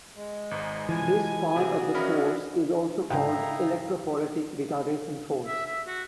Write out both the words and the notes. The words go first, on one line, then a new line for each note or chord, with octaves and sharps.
This part of the force is also called electrophoretic retardation force.
G#3
G#1 G#2 B3 G#4
E3 F3 G#5
C3 F#4 G#4 D5
F3 G#3 C#4 A#4 E5 B5
G#2 C#3 D#4 E4 F5 G5 A#5
E5
E5
F#4